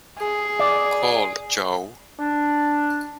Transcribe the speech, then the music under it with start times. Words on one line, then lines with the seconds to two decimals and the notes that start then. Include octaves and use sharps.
Call Joe.
0.19 G#4
0.59 D5
2.19 D4